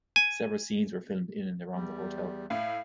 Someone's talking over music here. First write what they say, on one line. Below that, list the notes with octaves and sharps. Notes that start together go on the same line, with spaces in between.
Several scenes were filmed in and around the hotel.
G#5
E2 G3
A2 E4 F5